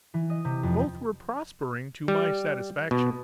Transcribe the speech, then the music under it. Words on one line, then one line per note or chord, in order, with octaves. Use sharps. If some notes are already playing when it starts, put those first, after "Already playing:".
Both were prospering to my satisfaction.
E3
D#5
C3
F2
G3
B2